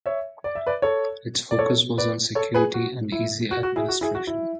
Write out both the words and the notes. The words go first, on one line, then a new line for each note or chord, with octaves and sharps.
Its focus was on security and easy administration.
C#5 E5
D5
E5
B4 D5
A4 C#5
D5
A4 C#5
B4 D5
A4 C#5
G#4 B4
F#4
E4
F#4
F#4
E4 G#4
F#4
E4 G#4
F#4
E4